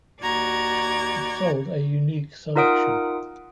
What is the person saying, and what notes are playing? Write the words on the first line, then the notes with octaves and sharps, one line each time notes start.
It sold a unique selection.
D#2 F#4 D5 A#5 G#6 A6
D#4 F4 A#4 F#5 D#6 D7